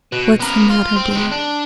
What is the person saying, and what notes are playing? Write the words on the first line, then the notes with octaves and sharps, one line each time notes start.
"What is the matter, dear?"
B2
B3 A#4
F4
C4
G#3 C4
D4